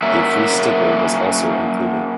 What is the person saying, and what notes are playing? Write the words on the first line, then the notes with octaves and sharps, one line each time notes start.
A free sticker was also included.
F#3 A#3 C#4 A#4 E5